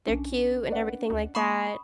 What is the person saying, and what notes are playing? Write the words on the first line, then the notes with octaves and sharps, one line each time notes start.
They're cute and everything like that.
B1 C#4 D4
B4 D5 F#5
D2
A#3 B5 C#6 D#6